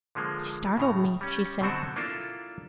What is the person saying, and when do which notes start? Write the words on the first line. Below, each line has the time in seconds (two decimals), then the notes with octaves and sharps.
"You startled me," she said.
0.15 D3 F3 G#3 A#3
0.77 A2 C#3 A#5
1.21 G3 C#4
1.61 B2 D3 F#3 C4 F#4 A4
1.96 A#3 D4 E4 F4 A4